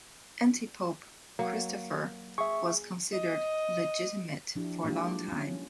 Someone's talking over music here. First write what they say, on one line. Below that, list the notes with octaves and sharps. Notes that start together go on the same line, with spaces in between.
Antipope Christopher was considered legitimate for a long time.
F#3 A#3
G#4 E5 C#6
D#5
F3 D4 E4 G4
G#3 A#3 D4 E4 F4 G4
F#3 C#4